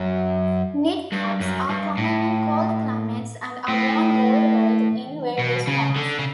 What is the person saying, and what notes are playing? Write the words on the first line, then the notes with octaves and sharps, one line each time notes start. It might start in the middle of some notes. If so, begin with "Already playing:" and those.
Knit caps are common in cold climates, and are worn worldwide in various forms.
Already playing: F#2
G2
F#2
G2
A2
A2
B2
C#3
D3
C#3